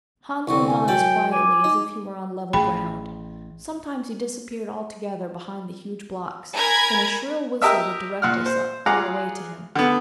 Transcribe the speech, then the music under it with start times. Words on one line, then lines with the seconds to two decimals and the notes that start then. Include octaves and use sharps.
Hans went on as quietly as if he were on level ground; sometimes he disappeared altogether behind the huge blocks, then a shrill whistle would direct us on our way to him.
0.48 C2 D3 C4 C#6
0.66 G#5
0.88 F#2 G5 A5 B5
1.32 G#5 D6
1.64 D#4
2.53 A1 G#4 G5 B5
6.56 A#4 G#5 A#5 B5 G#6
7.62 G4 A#4 D#5 E5 E6
8.22 A#2 F#5 F6
8.46 C5
8.86 F4 G#4 F#5 A#5 D6
9.76 D3 B3